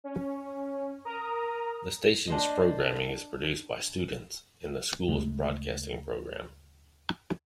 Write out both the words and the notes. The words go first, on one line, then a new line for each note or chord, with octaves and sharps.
The station's programming is produced by students in the school's Broadcasting program.
C#4
A#4 A#5 D#6
D4 C5 D#5
D2 C#3 G#3 A3